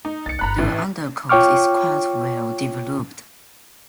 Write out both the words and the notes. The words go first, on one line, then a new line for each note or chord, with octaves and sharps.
The undercoat is quite well developed.
D#4
C2 A6 C#7
G1 F4 A#5 B5 F#6
A1 A2
F4 C#5 G5 C#6 D6 F6